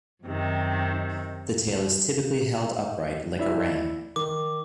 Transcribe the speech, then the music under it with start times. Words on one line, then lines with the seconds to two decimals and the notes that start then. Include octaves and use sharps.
The tail is typically held upright, like a wren.
0.24 F#2 C3 D#3
3.39 E4 D5 E5
4.16 D#3 D6